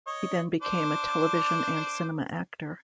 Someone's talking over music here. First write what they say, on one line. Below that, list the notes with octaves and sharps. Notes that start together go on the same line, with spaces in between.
He then became a television and cinema actor.
C#5 D#5
D4 C5 D6